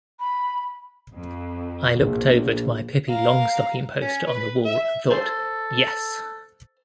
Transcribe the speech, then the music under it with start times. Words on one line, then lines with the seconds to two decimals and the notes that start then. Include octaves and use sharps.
I looked over to my Pippi Longstocking poster on the wall and thought, Yes!
0.19 B5
1.14 F2
1.97 A#1
3.09 F5 A#5
4.02 C#4
4.27 B4
4.65 E5
5.10 A4 C5